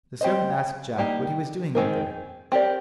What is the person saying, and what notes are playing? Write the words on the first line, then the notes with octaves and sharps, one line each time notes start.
The servant asked Jack what he was doing up there.
C4 G4 C5 D#5
G3 A#3 D#4 G4
D#3 G#3 C4 D#4 A#4
C4 G4 A#4 D5